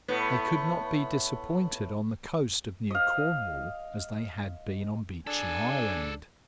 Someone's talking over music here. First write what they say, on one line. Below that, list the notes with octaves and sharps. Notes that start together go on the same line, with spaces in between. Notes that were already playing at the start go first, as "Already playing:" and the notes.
They could not be disappointed on the coast of New Cornwall as they had been on Beechey Island.
A2 B3
D#5 F5
D4 G#4 A4 G#5